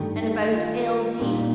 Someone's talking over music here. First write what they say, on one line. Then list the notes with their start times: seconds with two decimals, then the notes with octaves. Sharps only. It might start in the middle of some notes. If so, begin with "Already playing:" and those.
"And about L. D.?"
Already playing: G2 D#3 A3
0.19 G4
0.52 F4
1.19 A#2 G3 A#3 D#4